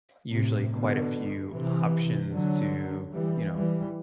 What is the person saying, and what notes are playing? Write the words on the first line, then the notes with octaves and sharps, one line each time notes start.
usually quite a few options to, you know,
A2 C3
B2 D3
C3 E3
D3 F#3
E3 G3
E3 G3